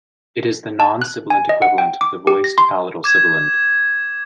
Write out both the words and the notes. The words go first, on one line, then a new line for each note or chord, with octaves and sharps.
It is the non-sibilant equivalent of the voiced palatal sibilant.
A5
F#6
G#5
D#5
F#5
G5
D6
G4
A#6
C6
D6 G#6 E7